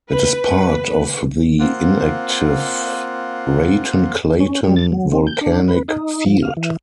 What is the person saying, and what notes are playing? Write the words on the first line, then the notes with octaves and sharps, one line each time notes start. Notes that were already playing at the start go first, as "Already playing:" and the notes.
It is part of the inactive Raton-Clayton volcanic field.
B4
A#3 C4 F4 F#5
C#4
G3
A6
F#3
C4
G6
D4
B4
D#4
F3
F5
E3